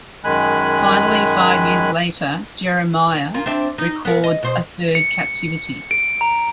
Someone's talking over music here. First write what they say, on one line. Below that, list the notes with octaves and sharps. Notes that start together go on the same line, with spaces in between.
Finally, five years later, Jeremiah records a third captivity.
F#2 D#3 G#3 G#5 B5 F#6
A#3 F4
C4 D4 E5
D#4
B3 A#4
D#5
B2 C5
C#7
D7
A#5